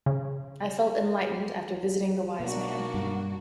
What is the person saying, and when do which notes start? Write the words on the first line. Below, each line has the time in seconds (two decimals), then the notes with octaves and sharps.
I felt enlightened after visiting the wise man.
0.06 C#3
2.40 B2 F#3 A#3 D4 F#4
2.94 G2